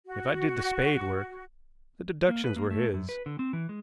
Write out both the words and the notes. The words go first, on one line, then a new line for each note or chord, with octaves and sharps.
If I did the spade work, the deductions were his.
F#4
A#3
B4
A#3
A3
F#2
B4
D3
C4
E3
G#3